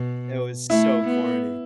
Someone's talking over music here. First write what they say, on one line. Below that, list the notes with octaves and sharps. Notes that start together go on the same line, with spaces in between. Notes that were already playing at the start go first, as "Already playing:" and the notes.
It was so corny.
Already playing: B2
A3 E4
B3